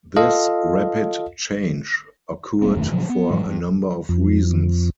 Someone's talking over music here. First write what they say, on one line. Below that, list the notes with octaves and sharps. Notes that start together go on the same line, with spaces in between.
This rapid change occurred for a number of reasons.
F4 A4 D#5 F5
D#1 G3 A#3 C4
E1 F#2 D#3 A3
A#2 D3 F3 F#3
B3
G#2 E3 F3 G3
G2
F2